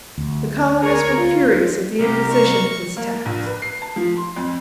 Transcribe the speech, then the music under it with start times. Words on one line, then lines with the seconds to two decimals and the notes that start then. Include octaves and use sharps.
The colonists were furious at the imposition of this tax.
0.18 D2
0.80 G#4 A#4 C#5
1.16 F4
2.00 C2 G4 A#4
2.31 C#6
2.97 A#3
3.25 A#1
3.46 B4
3.62 C7
3.82 A5
3.96 F3
4.16 C6
4.36 F2